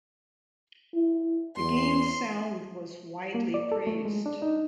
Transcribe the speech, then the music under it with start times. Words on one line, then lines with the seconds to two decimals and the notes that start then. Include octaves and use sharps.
The game's sound was widely praised.
0.94 E4
1.58 E2 C6
3.34 A#3
3.54 D5
3.72 A4
3.87 A3
4.05 G#3
4.26 D4
4.42 D#4